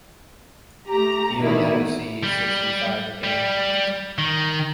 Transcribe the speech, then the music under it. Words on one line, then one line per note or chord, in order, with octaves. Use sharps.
He will never see sixty-five again.
A3 G4 A#5
B2 D#3 E3 D4 E4
G3
G3
D#3